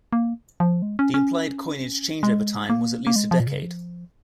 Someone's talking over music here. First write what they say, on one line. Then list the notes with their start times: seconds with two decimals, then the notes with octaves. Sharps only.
The implied coinage changeover time was at least a decade.
0.13 A#3
0.60 F3
0.82 G#3
0.99 C#4
1.14 C#4
2.23 G#3
2.70 A#3
3.07 A#3
3.16 G#3
3.31 F3
3.40 A#2
3.47 C#3
3.63 F3